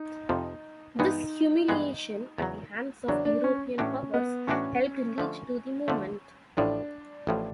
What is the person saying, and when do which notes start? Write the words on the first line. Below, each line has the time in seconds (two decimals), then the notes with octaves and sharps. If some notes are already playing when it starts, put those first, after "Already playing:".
This humiliation at the hands of the European powers helped lead to the movement.
Already playing: D#4
0.29 F2 C3 F3
0.99 G2 E3 G#3 B3 D#4
1.68 G2 E3 G#3 B3
2.38 E2 C#3 F#3
3.08 E2 C#3 F#3 D4
3.25 D4
3.44 C#4
3.78 A2 E3 A3 C#4 D4 F#4
4.14 B3
4.47 A2 E3 A3 C#4 D4 F#4
5.18 D3 F3 A3
5.88 D3 F3 A3
6.57 A1 A2 F3 D4
7.27 A1 A2 F3